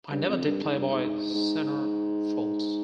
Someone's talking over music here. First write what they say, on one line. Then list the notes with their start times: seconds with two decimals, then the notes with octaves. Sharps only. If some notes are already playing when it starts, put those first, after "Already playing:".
I never did "Playboy" centrefolds.
0.11 G2
0.29 F2
0.46 G2
0.63 G#2
0.78 G2
0.91 G#2
1.34 G#2